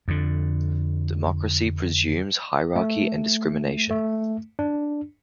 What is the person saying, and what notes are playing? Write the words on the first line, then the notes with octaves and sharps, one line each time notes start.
Democracy presumes hierarchy and discrimination.
F2 D3
A3
A3
D4